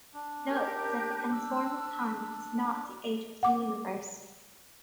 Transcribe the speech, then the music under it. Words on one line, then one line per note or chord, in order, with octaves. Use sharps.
Note that the conformal time is not the age of the universe.
D4
G4 A#4 G6
E6
F#5 D6